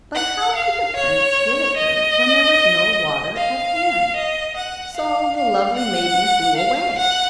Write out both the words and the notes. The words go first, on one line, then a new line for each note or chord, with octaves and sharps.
But how could the prince give it her when there was no water at hand? So the lovely maiden flew away.
F#5
F5
C#5
D#5
F5
D#5
F#5
F5
F5
F#5
F5
F#5